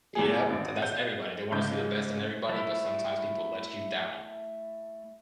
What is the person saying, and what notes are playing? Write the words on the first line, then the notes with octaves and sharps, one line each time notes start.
Yep, tha that's everybody, they wanna see the best in everybody, but sometimes people let you down.
E2 A2 G#4
G#1
G6
G#2 C#3 G6
A3 E4